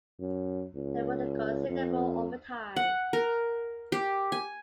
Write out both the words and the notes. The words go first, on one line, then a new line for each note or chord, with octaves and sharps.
They worked considerable overtime.
F#2
C#2
F2
F#5
A#4
G4
G#5